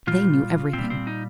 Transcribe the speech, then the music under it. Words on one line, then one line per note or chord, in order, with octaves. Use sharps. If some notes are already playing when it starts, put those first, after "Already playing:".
They knew everything.
A#2 G3 F4
A#2 G3 C4
C4
D#4